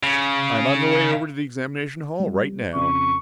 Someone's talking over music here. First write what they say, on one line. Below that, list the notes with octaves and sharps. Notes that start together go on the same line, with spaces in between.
"I'm on my way over to the examination hall right now."
C#3
G3
F2 C#3 C#6